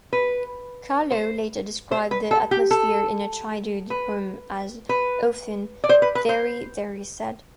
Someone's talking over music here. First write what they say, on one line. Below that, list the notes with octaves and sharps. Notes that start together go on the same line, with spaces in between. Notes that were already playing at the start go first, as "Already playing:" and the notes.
Kahlo later described the atmosphere in her childhood home as often "very, very sad".
B4
C5
C5
B4
A4
G4
A4
B4
B4
D5
C5
B4
B4
C5